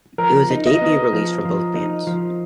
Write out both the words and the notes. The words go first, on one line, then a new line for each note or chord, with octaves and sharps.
It was the debut release from both bands.
F3 A#4
D#4
D#5
B3
F3
F3
D#4
F3